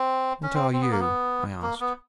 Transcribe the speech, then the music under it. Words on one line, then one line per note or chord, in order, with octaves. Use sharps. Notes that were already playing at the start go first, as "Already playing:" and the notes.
"What are you?" I asked.
Already playing: C4
C#4
C4
C4
B3
A#3
B3
A#3
B3